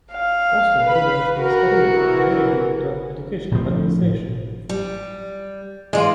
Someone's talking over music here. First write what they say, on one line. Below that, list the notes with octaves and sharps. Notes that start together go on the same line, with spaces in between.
Most of Rudenstine's career has been dedicated to educational administration.
F5
B4 B5
F#4 A#4
E3 A#4
A2 F3
G3
E3 G#3 F4 D5